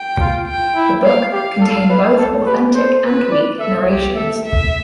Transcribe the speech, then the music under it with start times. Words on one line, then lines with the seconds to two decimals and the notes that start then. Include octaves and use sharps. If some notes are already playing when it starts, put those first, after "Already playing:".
The books contain both Authentic and weak narrations.
Already playing: G5
0.20 F4
0.48 G5
0.76 E4
1.05 F5
1.32 G4 F5
1.61 A4
1.90 B4
2.19 A4
2.46 G4 B4
2.74 A4 C5
3.03 B4
3.31 D5
3.59 A4 E5
3.88 G4
4.15 A4 E5
4.45 E5